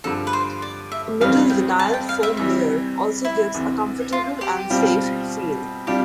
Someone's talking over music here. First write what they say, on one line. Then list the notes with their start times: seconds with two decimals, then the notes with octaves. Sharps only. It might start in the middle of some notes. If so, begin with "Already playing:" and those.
A middle vinyl foam layer also gives a comfortable and safe feel.
0.04 G2 D3 F3 A4
0.27 B4
0.33 C5
0.62 D5
0.92 E5
1.21 F2 C3 E3 G3 C4 F5
1.50 G5
1.79 A5
1.94 G5
2.09 F5
2.23 E5
2.37 C3 E3 G3 E5
3.25 E4
3.54 D2 C3 E3
4.12 F4
4.41 G4
4.70 B2 G3 C4 F4
5.87 C3 G3 D4 F4 G4